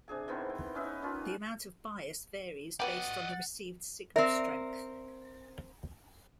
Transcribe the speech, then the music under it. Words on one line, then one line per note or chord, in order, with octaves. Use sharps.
The amount of bias varies based on the received signal strength.
C3 D4 G#4 G#5
D#3 E3 B3 C4
G5
C#4 D#4 B4 E5
D#3 C#4 F4
F#3 B3 G4 D5 D#5 F#5
C4 A#4 D5 E5